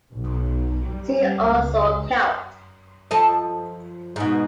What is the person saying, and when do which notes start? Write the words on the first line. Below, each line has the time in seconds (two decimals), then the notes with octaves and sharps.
See also celt.
0.14 B1
0.89 G3
1.44 C#2
3.11 F3 A4 D#5
4.16 G#2 B2